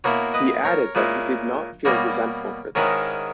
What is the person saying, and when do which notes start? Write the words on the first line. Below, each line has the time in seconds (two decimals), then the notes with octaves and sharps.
He added that he did not feel resentful for this.
0.04 B2 A#3 E4 A#4 C#5
0.34 B4 D#5
0.65 A#4 C#5
0.95 A#2 G#3 C#4 E4
1.85 B2 G3 A#3 A#4 C#5
2.75 G#2 D#3 G#3 C#4 E4 A#4 C#5